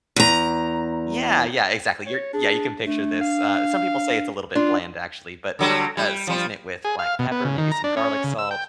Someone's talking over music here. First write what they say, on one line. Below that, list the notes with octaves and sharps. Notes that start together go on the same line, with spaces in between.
Yeah. Yeah. Exactly. You're yeah. You can picture this. Uh, some people say it's a little bit bland, actually, but, uh, season it with black pepper, maybe some garlic salt,
E2 A#5
C#5
D4 G#4
A3 D4
F5
D4 F4
D3 F#3 G3
G3
F3 G3
G#4
F5
B2
B3
C#3
D#3
A#5
D4
C#4
C#3
E6
G5